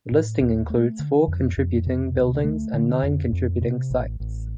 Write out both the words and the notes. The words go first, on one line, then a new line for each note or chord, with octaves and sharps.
The listing includes four contributing buildings and nine contributing sites.
A2
D#2
A3
D3
F2
F2
C3
D2
A3
D3
F2
F2
C3
A1
A1